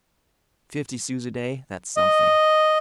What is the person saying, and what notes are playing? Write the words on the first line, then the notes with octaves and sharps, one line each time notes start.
Fifty sous a day, that's something.
D#5